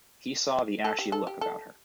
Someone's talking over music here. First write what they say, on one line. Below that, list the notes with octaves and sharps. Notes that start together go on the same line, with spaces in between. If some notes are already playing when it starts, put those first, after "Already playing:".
He saw the ashy look about her.
A4
G4
A4
G4
A4